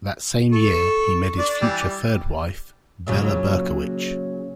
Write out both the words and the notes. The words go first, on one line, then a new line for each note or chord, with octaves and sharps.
That same year, he met his future third wife, Bella Berkowich.
A4 C#6
D4 D5
E3 G3
A#2 C#3 F#3